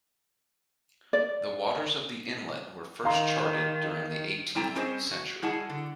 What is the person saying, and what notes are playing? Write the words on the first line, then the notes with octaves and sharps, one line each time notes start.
The waters of the inlet were first charted during the eighteenth century.
D5
D#3 F5 A#5 C6
G3 C4 E4 A4 G5 A#5
G3 C4 C#4 G#4 C5 D#5
F#4
G3 E4 G#4 D#5 F#5 A5
D3